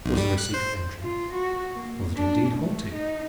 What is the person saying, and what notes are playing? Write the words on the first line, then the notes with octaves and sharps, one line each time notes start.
Was there a secret entrance? Was it, indeed, haunted?
B1
G3
F#6
C5
F4
F#4
A#3
D4
A3
D#4